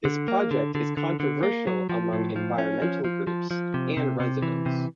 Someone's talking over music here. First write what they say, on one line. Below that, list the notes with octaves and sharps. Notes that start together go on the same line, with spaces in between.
This project is controversial among environmental groups and residents.
D3
A#3
D3
D3
D3
D3
A#3
F#3
F3
A2
F3
C#4
F3
F3
F3
F3
C3
C3
C3
E3
C3